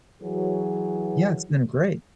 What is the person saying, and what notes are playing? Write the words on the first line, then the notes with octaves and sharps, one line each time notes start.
Yeah. It's been great.
E3 F#3 G#4